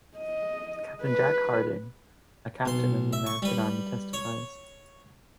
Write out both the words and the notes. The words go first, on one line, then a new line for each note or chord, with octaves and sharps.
Captain Jack Harding, a captain in the American army testifies.
D#5
B4
B1 C6
E5
C#6
G3 B4
C#5